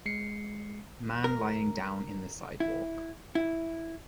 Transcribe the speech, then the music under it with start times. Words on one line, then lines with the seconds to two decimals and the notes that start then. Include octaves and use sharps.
Man lying down in the sidewalk.
0.06 G#3 C7 C#7
1.24 A#4
2.60 E4
3.35 E4